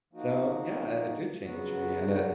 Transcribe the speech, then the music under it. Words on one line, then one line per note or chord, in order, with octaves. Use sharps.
so yeah, it did change me, and it
F3 A#3 D#4 F#4
C#3 F#3 B3 F#4